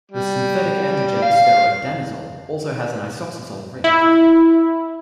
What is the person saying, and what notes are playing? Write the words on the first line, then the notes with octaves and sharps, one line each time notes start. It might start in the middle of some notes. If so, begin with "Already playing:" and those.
The synthetic androgenic steroid danazol also has an isoxazole ring.
G3
F5
E4